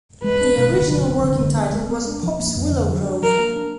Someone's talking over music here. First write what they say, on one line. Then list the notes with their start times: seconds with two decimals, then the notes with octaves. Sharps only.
The original working title was "Pop's Willow Grove".
0.24 G#3 B4
0.41 D4
0.57 B2
0.74 D3
0.90 F#3
1.07 D4
1.24 D3
1.39 G#3
1.56 B3
1.73 G#3
1.90 B3
2.07 D4
2.23 F3
2.39 A#3
2.56 F2
2.72 D3
2.89 F#3
3.06 D4
3.22 F#3 A#4
3.39 A#3
3.56 D4